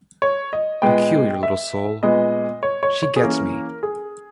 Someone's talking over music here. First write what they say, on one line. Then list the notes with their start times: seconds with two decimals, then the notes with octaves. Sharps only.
Peculiar little soul — she gets me.
0.22 C#5
0.53 D#5
0.82 A#2 G#3 B3 G5
1.43 E5
2.03 A#2 G#3 B3 D#5
2.63 C#5
2.83 C#5
3.03 C#5
3.16 G#4
3.23 E3 A#3 C#4 A#4
3.83 G#4